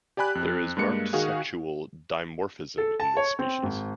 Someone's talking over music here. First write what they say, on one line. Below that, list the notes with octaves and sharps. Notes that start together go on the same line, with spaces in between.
There is marked sexual dimorphism in this species.
G4 D5 G#5 B5 F#6
F2
G2 G#3 A#3 C#7
D#3 F#4 G#4 F5
A4
A5
C#5
C4
G#1